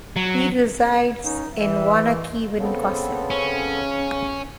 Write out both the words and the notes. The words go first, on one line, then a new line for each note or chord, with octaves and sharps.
He resides in Waunakee, Wisconsin.
F#3
C#4 D#4
E3 E5
C#3 B3 C4 A4
C#4